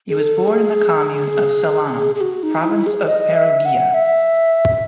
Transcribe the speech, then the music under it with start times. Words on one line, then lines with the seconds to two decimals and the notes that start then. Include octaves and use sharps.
He was born in the comune of Sellano, province of Perugia.
0.09 G#4
0.19 A4
0.48 G#4
2.15 G#4
2.21 F#4
2.43 D#4
2.64 E4
2.86 G#4
3.07 D#5
3.36 E5
3.65 F#5
3.94 E5